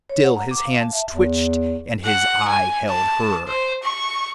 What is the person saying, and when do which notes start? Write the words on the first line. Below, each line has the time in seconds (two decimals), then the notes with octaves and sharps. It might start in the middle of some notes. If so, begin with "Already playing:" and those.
Still his hands twitched and his eye held her.
0.10 C#5
0.24 F#5
0.35 A#5
0.51 D6
0.65 F5
0.80 A5
0.93 E5
1.13 E2
2.04 F#5
2.48 G#5
2.89 A5
3.48 C5
3.84 C#6